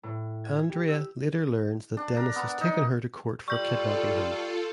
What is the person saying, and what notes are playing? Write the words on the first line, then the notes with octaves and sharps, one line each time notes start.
Andrea later learns that Dennis has taken her to court for kidnapping him.
A2
G#6
G4
E6
D4
A#4
B3
D#4
G3 F4 A4 C#6 G6 F#7